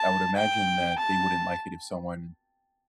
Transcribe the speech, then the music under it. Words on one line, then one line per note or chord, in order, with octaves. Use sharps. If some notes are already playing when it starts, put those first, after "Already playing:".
I would imagine that they wouldn't like it if someone
Already playing: A5
G5
A5